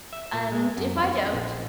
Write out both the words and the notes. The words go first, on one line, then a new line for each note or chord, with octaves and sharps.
"And if I don't?"
E5
A#2
G#3
F#2
F2
A#1